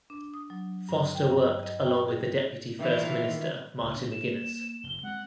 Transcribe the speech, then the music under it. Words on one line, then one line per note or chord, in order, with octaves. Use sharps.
Foster worked along with the deputy First Minister Martin McGuinness.
D4
D#6
F#3
G2
G5
G2
D#5
G5
G#4
D#3 E3 F4 E5
C#2
A#2 B3 D4
A#3 E7
F1 F2 G7
G#3 C4 F#5